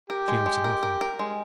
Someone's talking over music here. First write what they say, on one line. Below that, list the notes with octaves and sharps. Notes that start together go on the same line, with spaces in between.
She answered nothing.
G4 A#4
G#3
G#3
A#4
A#4
A#4
G#3